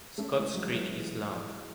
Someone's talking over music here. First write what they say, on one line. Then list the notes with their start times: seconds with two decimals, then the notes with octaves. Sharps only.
Scotts Creek is long.
0.18 A3 C#4
0.36 E3 G#3
0.55 F#3
0.74 E3